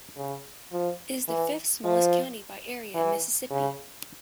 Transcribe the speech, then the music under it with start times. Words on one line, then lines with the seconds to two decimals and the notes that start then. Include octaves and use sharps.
It is the fifth-smallest county by area in Mississippi.
0.16 C#3
0.72 F3
1.28 E3
1.84 F3
2.95 E3
3.51 C#3